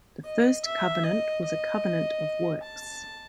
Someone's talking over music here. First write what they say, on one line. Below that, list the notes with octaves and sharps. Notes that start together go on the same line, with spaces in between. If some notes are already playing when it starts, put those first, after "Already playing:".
The first covenant was a Covenant of Works.
D#5
E5
D#5
D#5
A5